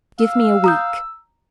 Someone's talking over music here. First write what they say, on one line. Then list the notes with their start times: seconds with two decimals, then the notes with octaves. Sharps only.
Give me a week.'
0.20 F5 E6
0.64 A#5 D#6 G6